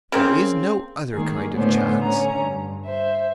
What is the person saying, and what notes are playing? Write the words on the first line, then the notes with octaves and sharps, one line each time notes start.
It is no other kind of chance.
C#3 A#3 C4
D#3 G#3 A#3 G#4
A2 D3 A3 B3 C#4 C5
D3 C#4 A#5
G2
C5 E5